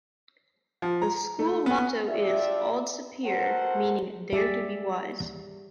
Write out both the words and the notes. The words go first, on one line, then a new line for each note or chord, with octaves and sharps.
The school motto is 'Aude Sapere', meaning 'dare to be wise'.
F3
A#5
A3
B3
D4 F4 G4 D5 E5
F#4 A4 A#4 C5 F#5
G3 G4 G#4 D5 E5